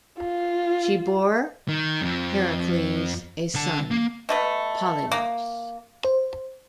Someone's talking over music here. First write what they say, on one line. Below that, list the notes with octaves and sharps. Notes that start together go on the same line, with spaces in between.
She bore Heracles a son, Polylaus.
F4
D#3
F2 F3
D3 A5
A#3
B2 A3 B4
A#3
C5